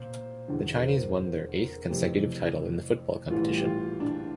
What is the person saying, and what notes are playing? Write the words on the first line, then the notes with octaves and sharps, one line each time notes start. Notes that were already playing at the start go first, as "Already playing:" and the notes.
The Chinese won their eighth consecutive title in the football competition.
Already playing: A#2 C5
E1 E2 D3
A#4
C5
C5
A#4
F1 F2 E3 G4
A1 A2 E3 G3 F4
G4
F4
D4